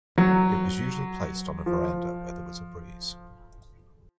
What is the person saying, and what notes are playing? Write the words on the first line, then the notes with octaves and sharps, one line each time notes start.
It was usually placed on a veranda where there was a breeze.
F#3
F3